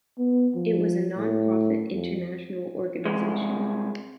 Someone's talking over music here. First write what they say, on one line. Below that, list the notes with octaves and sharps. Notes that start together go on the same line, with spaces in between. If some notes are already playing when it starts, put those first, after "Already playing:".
It was a non-profit international organization.
B3
F3
A2
F2
C2 G#3